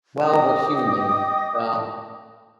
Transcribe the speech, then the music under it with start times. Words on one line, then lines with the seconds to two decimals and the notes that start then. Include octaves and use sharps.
Well, we're human, so
0.24 D#5 G5 D6 D#6